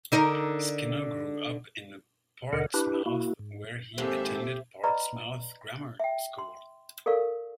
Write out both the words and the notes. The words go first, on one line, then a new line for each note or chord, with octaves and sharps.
Skinner grew up in Portsmouth where he attended Portsmouth Grammar School.
D3 D#4 A#4
D#2 B2 D3 A#4 D#5 F#5
D4 E4 G4 B4
A#3 E4 F#4
G#2
D#2 G#2 G#3 C4 G4 A4 C5 E5
B4 D5 D#5 A#5 B5 C#6
E5 G5
C6
A4 A#4 D5 F5 C#6